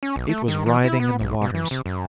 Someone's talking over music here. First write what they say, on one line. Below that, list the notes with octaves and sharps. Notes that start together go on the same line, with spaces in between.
It was writhing in the waters.
C#4
B1
A3
D#3
E3
E4
B3
B1
B2
E3
C3
F#2